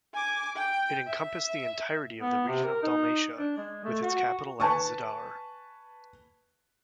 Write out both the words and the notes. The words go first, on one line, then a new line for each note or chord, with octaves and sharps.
It encompassed the entirety of the region of Dalmatia, with its capital at Zadar.
G#5 D6
G5
E5
B3
C3
A#4
D#4
D4
G#3
A3
F#4
B4 G#5 A5 C#6